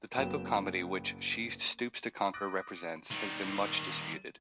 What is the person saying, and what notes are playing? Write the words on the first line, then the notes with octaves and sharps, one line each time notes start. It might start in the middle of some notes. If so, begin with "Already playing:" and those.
The type of comedy which "She Stoops to Conquer" represents has been much disputed.
F#1 F#3 B3 G5 E7
D6 D#6 F#6 A6 A#6 D7
D#3 G3